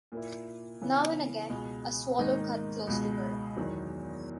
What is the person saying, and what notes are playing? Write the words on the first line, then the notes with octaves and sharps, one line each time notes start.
Now and again, a swallow cut close to her.
A#2 A#3 E4
C#3 E3 B3
C#2 B2 G#3
G#2 D#3 A#3 D#4
C#2 B2 G#3
E2 D#3 F#3